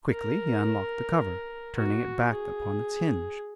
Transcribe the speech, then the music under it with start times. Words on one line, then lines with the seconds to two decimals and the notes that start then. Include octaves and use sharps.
Quickly he unlocked the cover, turning it back upon its hinge.
0.11 A#4
1.76 F#4
2.32 G#4